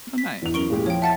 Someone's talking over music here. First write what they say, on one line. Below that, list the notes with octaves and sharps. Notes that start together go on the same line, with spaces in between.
Oh nice.
B6
E2 F7
F#2 A#4 C#6 D7 G7
A#2 G#3 G4
F3 C#5 G5
E5 F#5 A5 A6